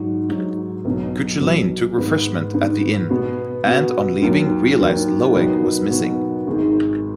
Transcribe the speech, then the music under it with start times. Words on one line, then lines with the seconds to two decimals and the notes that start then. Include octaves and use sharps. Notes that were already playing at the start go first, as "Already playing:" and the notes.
Cuchulainn took refreshment at the inn and on leaving realised Loeg was missing.
Already playing: G#2 F#3 D#4 F#4
0.29 G#2 F#3 D#4 F#4
0.85 B1 B2 F#3
1.41 B1 B2 F#3
1.98 G#2 D#3 B3
2.53 G#2 D#3 B3
3.10 B2 B3 F#4
3.66 B2 B3 F#4
4.22 D#2 D#3 F#3
4.79 D#2 D#3 F#3
5.34 B2 F#3 B3 D#4 F#4
5.90 B2 F#3 B3 D#4 F#4
6.47 G#1 G#2 D#3 G#3